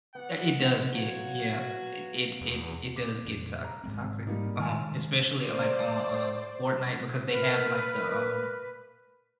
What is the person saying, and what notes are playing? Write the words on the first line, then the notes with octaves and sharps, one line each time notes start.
Eh, it does get yeah, eh, it it it does get to toxic, um, especially, like, on, uh, Fortnite because they have, like, the, um
B3 F#5 D6
F#3 F4 F#4 G#6
E2
D6
F2 A#2
A#5
G#2 G#3 C4
G3 A#3 D#4
D#3 G#3 G#5 A5 F6
C5 D5
A#4 B4